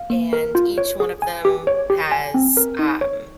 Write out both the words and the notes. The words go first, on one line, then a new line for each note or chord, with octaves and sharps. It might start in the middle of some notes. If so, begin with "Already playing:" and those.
and each one of them has, um,
Already playing: F5
A#3
A#4
F4
C#5
G#4
G#5
G4
C#5
G4
G#5
C4
A#4
D#4
C#5